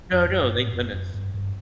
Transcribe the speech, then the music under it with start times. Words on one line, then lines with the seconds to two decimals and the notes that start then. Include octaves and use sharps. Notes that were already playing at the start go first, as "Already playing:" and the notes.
No, no, thank goodness.
0.13 F2
0.28 F#2
0.43 G2
0.58 A2
0.73 F#2
0.94 F#2
1.14 G2
1.34 G2